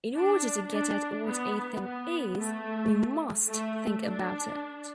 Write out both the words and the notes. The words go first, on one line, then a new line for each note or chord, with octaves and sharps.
In order to get at what a thing "is", we must think about it.
D4
D4
B3
B3
A3
A3
D4